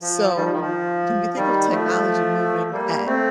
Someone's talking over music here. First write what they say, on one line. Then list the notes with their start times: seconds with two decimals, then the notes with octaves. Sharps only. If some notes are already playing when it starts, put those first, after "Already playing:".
So, when you think of technology moving at
0.02 F3
0.36 D#3 G3
0.44 F3
0.52 D#3
0.61 F3
1.37 D#3 G3
1.72 F3 A3
2.72 G3 A#3
3.06 A3 C4